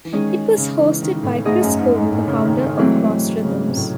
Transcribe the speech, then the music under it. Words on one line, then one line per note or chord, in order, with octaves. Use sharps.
It was hosted by Chris Cole, the founder of Cross Rhythms.
E3
D#3 G#3 C#4 G#4
C#3
E3
D#3
A2
G#2 A3 D#4 G#4 D#5
F#2
G#2
G#2
A2
C#3
D#3
D#3
G#2 E3 F#3 A3 C4
C#3
C3
A2